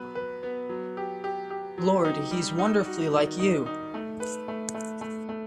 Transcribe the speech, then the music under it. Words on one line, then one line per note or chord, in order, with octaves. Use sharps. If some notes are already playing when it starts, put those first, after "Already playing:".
Lord, he's wonderfully like you!
Already playing: F#3 B3 B4
B4
B3
F#3
G4
G4
G4
F#3
D#4
G3
D#4
F#4
D#3
D#4
D#4
A3
B4
A3
A3
A3
A3